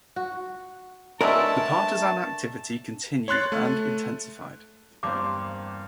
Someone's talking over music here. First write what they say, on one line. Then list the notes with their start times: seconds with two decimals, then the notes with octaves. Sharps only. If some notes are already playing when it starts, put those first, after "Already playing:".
The partisan activity continued and intensified.
0.16 F#4
1.21 F#3 G#3 A3 D4 A#4 B4 A5
3.28 C#5 C6 F#6 A6
3.52 A3
5.03 E2 G2 A#3 C4 C5 D6